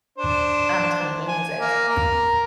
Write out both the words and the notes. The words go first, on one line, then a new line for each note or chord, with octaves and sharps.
And he means it.
D4 C5
G#5
A#3
A#4